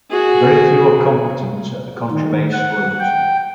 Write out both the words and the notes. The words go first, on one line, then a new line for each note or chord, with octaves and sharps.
Very few are competent at the contrabass flute.
F#4 G#4
D#3
F#5
G5